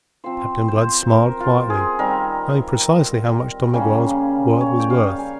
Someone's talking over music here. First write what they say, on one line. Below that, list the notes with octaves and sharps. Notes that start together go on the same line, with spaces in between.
Captain Blood smiled quietly, knowing precisely how much Don Miguel's word was worth.
F3 C4 F4 C5
C5
A#4
F4
G#4
D#3 G3 C4 A#4
C#3 G3 A#3 C#4
C#5
G5
F5
G#5